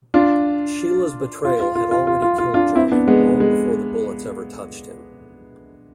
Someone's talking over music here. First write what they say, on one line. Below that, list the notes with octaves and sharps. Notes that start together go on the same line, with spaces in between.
Sheila's betrayal had already killed Johnny long before the bullets ever touched him.
D4 F4
F4
F4
F4
F4
F4
F4
F4
D4 F4
C4 E4
B3 D4
G#3 B3
G#3